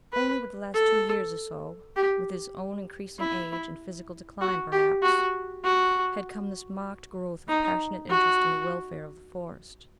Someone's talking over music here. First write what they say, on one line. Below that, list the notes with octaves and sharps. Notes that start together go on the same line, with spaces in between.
Only with the last two years or so--with his own increasing age, and physical decline perhaps--had come this marked growth of passionate interest in the welfare of the Forest.
B4
A4
G4
E4
F#4
G4
F#4
F#4
D#4
F#4